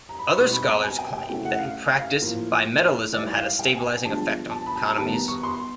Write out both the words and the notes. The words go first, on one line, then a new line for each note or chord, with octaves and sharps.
Other scholars claimed that in practice bimetallism had a stabilizing effect on economies.
A#5
B5
C6
B2 G3 C4 D#4 C#6
B5
A#5
G#5
G5
G5
C#3 F#3 A3 C#4 E4
F#5
F5
F5
A2 F3 A#3
G#2 E3 G3 D5
F5
G5
G#5
G5
G2 D3 F3 G#3 B3 A5
A5
B5
A5
A#5
D#3 G3 B3 D#4 A5
A#5
C#6
C6